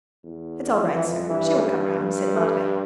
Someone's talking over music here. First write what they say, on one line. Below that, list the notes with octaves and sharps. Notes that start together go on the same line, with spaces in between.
"It's all right, sir; she will come round," said Matvey.
E2
F2 E3
G2 E3
G2
A3